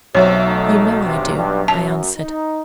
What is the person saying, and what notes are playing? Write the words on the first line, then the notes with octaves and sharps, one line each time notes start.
'You know I do,' I answered.
B1 C3 F#3 A3 C#5 E5
A3 D#4
G2 C3
G2
F#2 A5
D#4